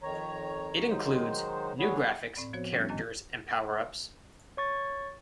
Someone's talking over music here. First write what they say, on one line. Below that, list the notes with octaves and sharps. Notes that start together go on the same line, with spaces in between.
It includes "new graphics, characters and power-ups".
F2 D#3 C#5 A#5
D#3 F#3 G#3 D#4 C5
G3 B3 E4 F#4 G#4 C#5
A2 C4 D5 B5
F3 B3 F#4 C5 C#5
G3 B3 C#4 D4
F#2 A#2 D#3 D#5 G#5
C#5 C#6 A6